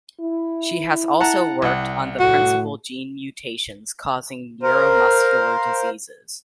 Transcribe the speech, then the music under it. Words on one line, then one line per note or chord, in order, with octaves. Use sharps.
She has also worked on the principal gene mutations causing neuromuscular diseases.
E4
F#5 A5 A#5
C2 F#5
A2 F#4
A#4 C5 F5